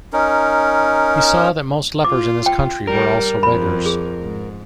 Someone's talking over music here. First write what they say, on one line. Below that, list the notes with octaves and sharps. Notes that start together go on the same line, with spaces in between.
He saw that most lepers in his country were also beggars.
C#4 D#4 A#4
F4 D6
G5
G3 A#4
F2 B5
G#4
G#2